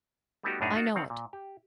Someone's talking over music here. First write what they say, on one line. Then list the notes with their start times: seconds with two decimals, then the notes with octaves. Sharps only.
I know it.
0.43 G3 A3 B3 D#4 F#4 G4
0.61 F#2 A2 D4 D#4 G#4 A#5
0.75 D#4 F4 F#4
0.95 D#3 C4 F5 F#5
1.10 A#2
1.33 G4